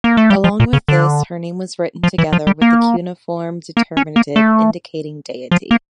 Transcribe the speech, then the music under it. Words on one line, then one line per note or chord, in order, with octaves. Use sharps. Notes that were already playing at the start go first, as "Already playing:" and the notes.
Along with this her name was written together with the cuneiform determinative indicating deity.
A#3
A3
G3
F3
A#2
C#3
D3
F3
E3
F3
G3
A#3
A#3
C#4
A#3
A3
F3
A#3